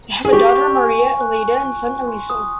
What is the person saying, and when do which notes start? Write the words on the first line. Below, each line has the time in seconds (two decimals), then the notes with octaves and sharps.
They have a daughter, Maria Eladia, and a son, Eliseo.
0.25 G#4
0.33 G4 C#6
0.55 C#6
0.77 G#5
0.99 G#5
1.21 F#6
1.43 C#6
1.65 G#5
1.87 G#5
2.08 C6
2.30 D#6